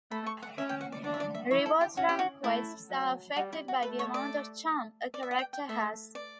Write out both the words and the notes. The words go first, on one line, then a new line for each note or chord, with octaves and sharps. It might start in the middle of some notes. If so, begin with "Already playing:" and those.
Rewards from quests are affected by the amount of charm a character has.
A3 B5
C#6
F#5
C#4 E5
G5
F#5
D5
D4 D5
E5
D5
E5
E4 C#5
A4
G4
C#4 F#4
G4
F#4
A3 E4
F#3
G3 F#4
E4
F#4
A3 B4
C#5
D5
D5
E5
F#5
G5
G5
A3 E5
D5